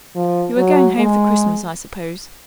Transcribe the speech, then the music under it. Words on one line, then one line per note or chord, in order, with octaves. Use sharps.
"You are going home for Christmas, I suppose."
F3
F#3
G#3